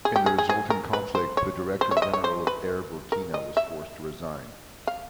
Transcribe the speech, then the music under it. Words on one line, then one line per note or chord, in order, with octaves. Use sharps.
In the resulting conflict, the director-general of Air Burkina was forced to resign.
G#4
G4
G#4
G#4
G#4
A#4
B4
C5
C#5
C5
C#5
E5
D#5
C#5
C5
B4
A#4
D#5
E5
F5